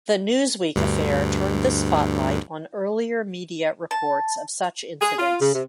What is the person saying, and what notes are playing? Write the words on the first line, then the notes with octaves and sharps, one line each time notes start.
The "Newsweek" affair turned the spotlight on earlier media reports of such incidents.
D2 G2
A5
G#4
F4
C#3
C3